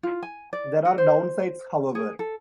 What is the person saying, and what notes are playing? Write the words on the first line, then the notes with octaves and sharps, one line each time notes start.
There are downsides, however.
F4
G#5
D5
F#4
C5
G#4
A4